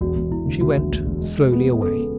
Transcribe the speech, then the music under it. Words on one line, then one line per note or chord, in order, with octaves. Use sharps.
She went slowly away.
E1 F#4
E1
E1 E4
D2
D2 F#4
E1
E1
E1
G#3
G#3
B3
G#3
C#3 A4
B3